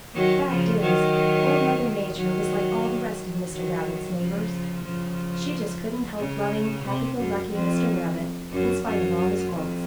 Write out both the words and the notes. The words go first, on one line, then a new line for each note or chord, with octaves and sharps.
The fact is, Old Mother Nature was like all the rest of Mr. Rabbit's neighbors--she just couldn't help loving happy-go-lucky Mr. Rabbit in spite of all his faults.
D#3 F#3
C#3 F3
D#3 F#3
D#3 F#3
D#3 F#3
C#3 F3
C#3 F3
C#3
C3
F#2
F2
F#2
F#2
F2